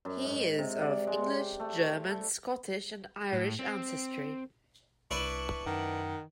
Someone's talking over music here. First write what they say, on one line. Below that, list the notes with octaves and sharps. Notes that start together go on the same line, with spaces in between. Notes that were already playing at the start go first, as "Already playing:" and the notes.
He is of English, German, Scottish, and Irish ancestry.
F#2
G#2
C3
D5
G#3
G5
A3
A4
A2
C4
C2 D4 E4 B4 C#6
F#2 D#3 F#5